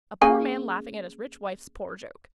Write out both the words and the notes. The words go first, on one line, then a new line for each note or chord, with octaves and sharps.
A poor man laughing at his rich wife's poor joke.
C#3 A#3 G#5